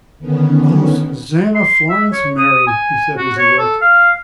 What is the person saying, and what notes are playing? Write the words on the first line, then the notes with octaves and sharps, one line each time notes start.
"O Susanna Florence Mary!" he said as he worked.
D3 D#3 B3 C#4
C6
E5
C#5
D#6
G#5
F#4
C#5
A4
F5